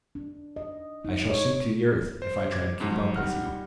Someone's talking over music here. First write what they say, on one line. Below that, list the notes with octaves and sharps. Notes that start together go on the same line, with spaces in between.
I shall sink to the earth if I try to keep up with you.'
D4
D#5
D#4
C#5
C5
D6 G#6
F2 G#2 F#3
G3 D#4 F#5 F6